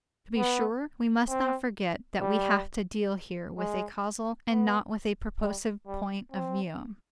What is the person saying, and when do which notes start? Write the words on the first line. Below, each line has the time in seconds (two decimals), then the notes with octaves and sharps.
To be sure, we must not forget that we have to deal here with a causal and not with a purposive point of view.
0.37 B3
1.29 C4
2.20 G3
3.58 G#3
4.49 B3
5.41 G3
5.87 G3
6.32 C4